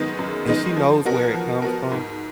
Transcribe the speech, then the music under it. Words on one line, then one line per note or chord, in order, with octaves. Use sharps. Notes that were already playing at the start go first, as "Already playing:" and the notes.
and she knows where it comes from,
Already playing: F#2 D#3 G#3 B3 D#4
F#2
D#3 G#3 B3 D#4
F3
B3 F#4 A#4
F3
B3 F#4 A#4
G#2